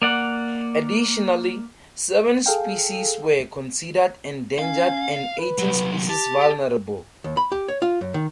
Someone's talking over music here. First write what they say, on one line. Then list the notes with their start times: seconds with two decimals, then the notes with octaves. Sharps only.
Additionally, seven species were considered endangered and eighteen species vulnerable.
0.02 A#3 D5 F#5
2.46 G#4 A4 F5 G5
4.59 C#4 F5
5.38 B4
5.58 C2 F#3
6.09 G4 A5
7.24 D#2
7.37 B5
7.52 G4
7.68 C#5
7.82 F4
8.01 F#2
8.14 D#3